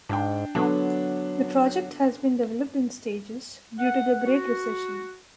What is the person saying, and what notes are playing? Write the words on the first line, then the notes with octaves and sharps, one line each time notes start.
The project has been developed in stages due to the Great Recession.
G#2 D4 G5
D3 F#3 B3 D4
F#5
F#4